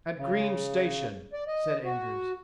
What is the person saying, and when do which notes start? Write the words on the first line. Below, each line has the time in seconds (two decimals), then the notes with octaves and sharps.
"At Green's Station," said Andrews.
0.16 C#3
1.33 D5
1.48 D#5
1.84 F#4